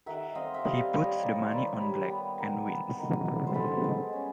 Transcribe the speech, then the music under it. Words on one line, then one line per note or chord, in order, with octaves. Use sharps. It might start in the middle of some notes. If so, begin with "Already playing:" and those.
He puts the money on black, and wins.
D#3 E5 F#5
C4 D#5 F5
E5
G3 D#5 F5
G3 C#5 D#5
D#3 C5 D5
D#3 B4 C#5
G3
B3
D#3
B3
D#3
B3
C5
G#3 A4 B4
G#3
C#4